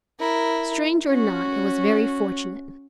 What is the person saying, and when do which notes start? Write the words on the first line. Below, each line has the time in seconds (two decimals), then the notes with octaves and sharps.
Strange or not, it was very fortunate.
0.20 E4 A#4
1.07 C#4 F#4